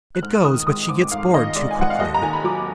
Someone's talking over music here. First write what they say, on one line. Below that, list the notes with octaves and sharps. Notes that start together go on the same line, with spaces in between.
It goes, but she gets bored too quickly.
F#6
G#2 F6
D#3 D#6
G#3 D#6
G#2 D6
G#2 F5
D#3 D#5
G#3 D5
G#5
G#2 F#5
F5
D#2 D#5
A#5
D#3 G#5
B5
F#3 D6